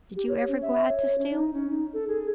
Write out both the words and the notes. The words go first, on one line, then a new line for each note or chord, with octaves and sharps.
"Did you ever go out to steal?"
G4
C#5
C#4
E5
C#5
C#4
D#4
C#4
D#4
A4
G#4